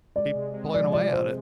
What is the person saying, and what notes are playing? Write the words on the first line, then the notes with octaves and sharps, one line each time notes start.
keep plugging away at it.
G#3 D5
C3
G#3
F3 D5
G#3 D5
C3 C5